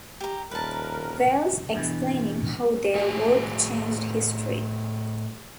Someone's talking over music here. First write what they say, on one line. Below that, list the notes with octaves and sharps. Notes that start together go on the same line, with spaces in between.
Wells, explaining how their work changed history.
G4 A#5
D#1 A#4 B4 A5
G2 B2 E3
A2 F#4 G#4 G#5